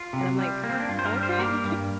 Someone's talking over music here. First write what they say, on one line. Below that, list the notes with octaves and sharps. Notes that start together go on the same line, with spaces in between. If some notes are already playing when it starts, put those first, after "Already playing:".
and I'm like, "Okay.
Already playing: F4
C3
G3
A#3
C4
D4
G2 F4
C5
A#4
G3
C5
A#3 A#4
G2